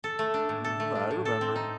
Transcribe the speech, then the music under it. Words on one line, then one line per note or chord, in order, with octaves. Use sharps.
Mhm, I remember.
A4
A3
D4
A2
A4
A3
D4
A2
A4
C4
D#4